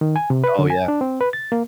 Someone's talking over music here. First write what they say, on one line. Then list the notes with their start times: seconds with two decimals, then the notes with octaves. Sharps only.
Oh, yeah.
0.01 D#3
0.16 G#5
0.30 C3
0.44 B4
0.59 D3
0.70 G#5
0.88 D4
1.01 C4
1.21 B4
1.33 A6
1.52 A#3